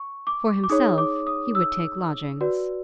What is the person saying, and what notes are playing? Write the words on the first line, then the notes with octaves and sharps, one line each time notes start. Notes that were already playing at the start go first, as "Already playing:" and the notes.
For himself, he would take lodgings.
Already playing: C#6
D6
D6
D#4 G#4 C#5 D#6
D6
D#6
E6
F#4 B4 D5